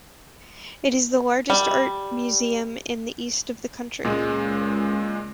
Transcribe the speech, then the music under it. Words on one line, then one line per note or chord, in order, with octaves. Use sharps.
It is the largest art museum in the east of the country.
G3
C#2 A#2 G#3